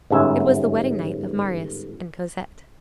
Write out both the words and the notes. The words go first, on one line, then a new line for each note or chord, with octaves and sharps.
It was the wedding night of Marius and Cosette.
G1 G#2 C#4 E5